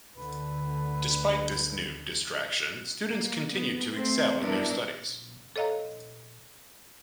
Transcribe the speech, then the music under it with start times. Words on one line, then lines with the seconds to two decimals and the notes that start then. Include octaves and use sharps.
Despite this new "distraction," students continued to excel in their studies.
0.17 D2 D3 B4
3.10 A#3
3.53 B3
3.93 A3 C4 C5
4.40 G3 B3 D4 E4 A#4
5.56 A4 C#5 D#5 F5 A#5